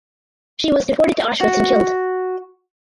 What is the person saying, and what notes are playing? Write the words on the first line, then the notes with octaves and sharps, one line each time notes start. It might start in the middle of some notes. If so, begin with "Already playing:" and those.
She was deported to Auschwitz and killed.
F#4